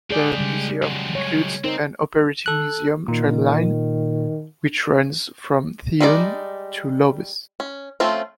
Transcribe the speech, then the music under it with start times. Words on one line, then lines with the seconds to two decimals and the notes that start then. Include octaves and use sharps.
The museum includes an operating museum tram line which runs from Thuin to Lobbes.
0.11 G#3 G#4 D5 G5
0.38 C#3 G3
0.82 F#3 G#3
1.15 C#5
1.64 C4 D#4 A#4 C5
2.46 A4 F#6
3.08 A#2 D#3
6.01 G3 G#3 D#4 G#4 D5
7.60 C#4
8.00 F3 A3 C4 C#4 F4